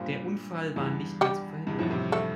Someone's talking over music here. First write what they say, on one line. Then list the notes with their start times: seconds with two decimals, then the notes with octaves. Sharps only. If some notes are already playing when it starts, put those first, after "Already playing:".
Der Unfall war nicht mehr zu verhindern.
Already playing: G2 A#2 F3
0.76 E2 G2
1.21 G3 G4
1.67 E2 G2
1.79 F2 A2
1.90 A2 C3
2.12 A3 A4